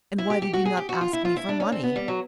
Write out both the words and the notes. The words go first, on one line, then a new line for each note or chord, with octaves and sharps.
"And why did you not ask me for money?"
E4
G4
G4
F#4
G#4
G4
F#4
F4
E4
F4
E4
D4
C#4
C4
B3
G3
F#3